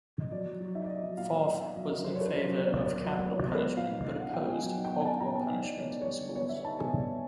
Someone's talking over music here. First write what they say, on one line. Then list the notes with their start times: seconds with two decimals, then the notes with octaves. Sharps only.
Forth was in favour of capital punishment, but opposed corporal punishment in schools.
0.20 D#5
0.31 F#3 D5
0.46 F#3
0.61 F#3
0.75 D#4 E5
0.84 D5
0.89 D#4 D#5
1.03 F#3 E5
1.17 A#2 F5
1.32 A#2
1.47 A#2
1.61 D#4 E5
1.76 F#3 D#5
1.90 F#3 A#4
2.04 F#3 C5
2.15 C#5
2.18 D4 B4
2.26 C5
2.33 F#3 A#4
2.48 F#3
2.57 D5
2.61 B2 C#5
2.76 A#3 D5
2.90 A#3
3.05 F#3
3.19 A#3
3.33 F#3 C#5
3.44 C5
3.47 B2
3.55 B4
3.63 B2
3.76 A#2 F5
3.91 D#4
4.06 D#4
4.19 D#4 F#5
4.34 B3 G5
4.48 D#4 G#5
4.62 F#3 G#5
4.77 D#4
4.85 G5
4.92 B3
5.01 G#5
5.05 D#4 A5
5.20 A#2 A#5
5.34 B3 A5
5.49 D#4
5.63 D#4 D5
5.77 B3 C#5
5.90 D#4 D5
6.01 G3 C#5
6.21 D3
6.36 B3 C#5
6.49 B3 E5
6.64 D#4 A5
6.78 B3 G#5
6.93 G3
7.07 G3